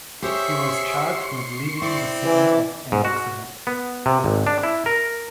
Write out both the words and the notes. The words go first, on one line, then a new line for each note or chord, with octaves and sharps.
He was charged with leaving the scene of an accident.
G4 G#4 C5 C#5 E5 C6 C#6
C4 E4 D5
E3
G#2
F#4
B3
C3
G#1
D4
E4
A#4